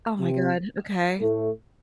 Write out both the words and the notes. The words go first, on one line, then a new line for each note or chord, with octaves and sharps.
Oh, my god. Okay.
C3 C4
A2 A3